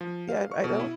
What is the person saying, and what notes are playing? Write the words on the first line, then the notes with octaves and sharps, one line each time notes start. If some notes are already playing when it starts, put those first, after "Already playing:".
yeah, r I don't
F3
F5
C#6
B2
E4